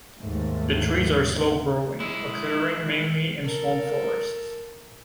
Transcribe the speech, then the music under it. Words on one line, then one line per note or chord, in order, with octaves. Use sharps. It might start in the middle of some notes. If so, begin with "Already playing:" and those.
The trees are slow-growing, occurring mainly in swamp forests.
D#2 G#2 A3
G#3 E4
A4 A#4